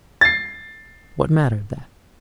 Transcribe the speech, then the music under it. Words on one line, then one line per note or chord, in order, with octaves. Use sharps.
What mattered that?
A6 C7